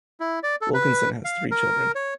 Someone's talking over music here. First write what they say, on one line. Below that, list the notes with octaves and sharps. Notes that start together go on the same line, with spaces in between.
Wilkinson has three children.
E4
D5
A4
B4
F5
A#4
C#5